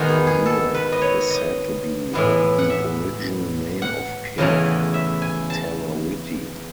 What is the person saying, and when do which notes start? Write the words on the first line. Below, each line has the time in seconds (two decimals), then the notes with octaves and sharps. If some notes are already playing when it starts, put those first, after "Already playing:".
Omere is said to be the original name of Cape Terawhiti.
Already playing: D#3 G#3 B3 D#4 F#4
0.08 G#4
0.27 G#4
0.46 A4
0.74 B4
0.92 D#5
1.01 C#5
1.30 D#5
2.13 A2 E3 G#3 B3
2.58 F#5
2.70 E5
3.82 F#5
4.38 E2 C#3 E3 A3 D#5
4.94 E5
5.22 G#5
5.50 A5